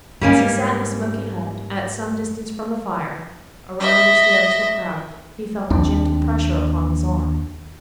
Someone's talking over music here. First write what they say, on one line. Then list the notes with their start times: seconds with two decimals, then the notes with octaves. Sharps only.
As he sat in the smoky hut, at some distance from the fire, around which the others were crowded, he felt a gentle pressure upon his arm.
0.21 G#2 G3 G#3 A#3 C#4
3.80 D#5 E5
5.71 D#2 C4 D4